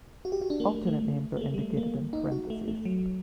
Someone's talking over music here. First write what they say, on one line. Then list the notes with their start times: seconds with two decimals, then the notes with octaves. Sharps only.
Alternate names are indicated in parentheses.
0.25 F#4
0.32 G4
0.41 F#4
0.50 D4
0.60 A#3
0.69 A3
0.87 A3
1.37 A#3
1.41 A3
1.54 G3
1.59 A3
1.77 A#3
2.13 D#4
2.32 F#4
2.50 A3
2.68 A3
2.85 F#3